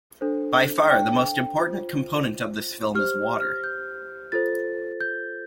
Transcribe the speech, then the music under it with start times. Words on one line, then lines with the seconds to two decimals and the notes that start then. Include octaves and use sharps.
By far, the most important component of this film, is water.
0.21 D4 A4 C5
0.90 G5
1.58 F4 C5
2.95 G4 F6
2.99 C5
3.41 F6
3.64 G6
4.32 F4 A4 C5 A6
5.01 G6